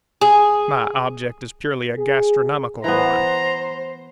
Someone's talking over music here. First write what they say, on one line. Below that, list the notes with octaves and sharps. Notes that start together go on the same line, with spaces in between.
My object is purely a gastronomical one.'
G#4
G#4
E3 B3 C5 A#5